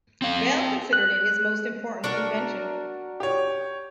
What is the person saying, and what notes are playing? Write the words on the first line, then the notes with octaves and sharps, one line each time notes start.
Bell considered it his most important invention.
C4 F5
F#6
D4 F#4 A#4
G4 C#5